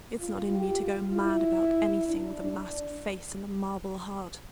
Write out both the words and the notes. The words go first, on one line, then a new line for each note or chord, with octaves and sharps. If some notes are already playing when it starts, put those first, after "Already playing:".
It's not in me to go mad about anything with a masked face and a marble heart.
F4
G4
F4
E4
D4
D4